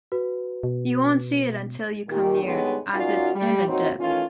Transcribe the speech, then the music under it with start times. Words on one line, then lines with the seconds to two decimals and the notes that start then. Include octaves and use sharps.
You won’t see it until you come near, as it’s in a dip.
0.12 F#4 B4
0.63 B2
2.08 A#2 D#3 G4
2.41 D3 G3 G#3 B3 D#4 C#5
2.92 F#2 C#4 D#4 F4 F#4 D5
3.33 G3
3.66 D#2 A#2 C4 D#4 F#4 C#5
3.98 D#3 E3 A3 C#4 F4